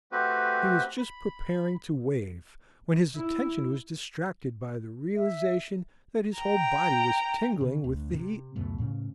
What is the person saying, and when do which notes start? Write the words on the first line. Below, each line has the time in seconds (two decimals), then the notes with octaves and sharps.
He was just preparing to wave when his attention was distracted by the realization that his whole body was tingling with the heat.
0.12 A3 C4 F#4 G4 B4
0.99 B5
3.15 E4
5.15 E5
6.38 G5 A#5
7.61 C#3
7.84 D2
8.14 C3
8.56 C#2 F#2 B2 A3
8.78 A2 C#3 C#4